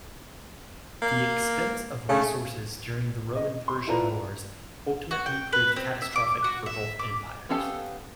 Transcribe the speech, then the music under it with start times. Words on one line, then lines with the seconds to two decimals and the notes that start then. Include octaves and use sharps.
The expense of resources during the Roman-Persian Wars ultimately proved catastrophic for both empires.
1.02 A#3
2.09 C#3 A3
3.36 D#5
3.68 C6
3.87 E4 F4 A4 B4 D5 A#5
5.11 F#4
5.26 G5
5.53 B4
5.76 C4
6.02 E5
6.16 D6
6.44 F#4
6.66 E5
6.99 D6
7.49 B3 C#4 G4 A4 F5